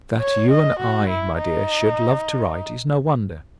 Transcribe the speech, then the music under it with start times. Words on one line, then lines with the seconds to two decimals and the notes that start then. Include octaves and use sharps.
That you and I, my dear, should love to write, is no wonder.
0.21 C#5
0.51 D#5
0.80 F#4
1.10 E4
1.39 D#4